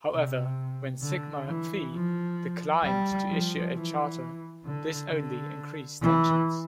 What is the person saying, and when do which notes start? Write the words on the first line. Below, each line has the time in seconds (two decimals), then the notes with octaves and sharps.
However, when Sigma Phi declined to issue a charter, this only increased tensions.
0.11 C3
1.02 D3
1.47 E3
1.93 F3
2.83 G3
3.29 F3
3.74 E3
4.64 D3
5.10 D3
6.01 E3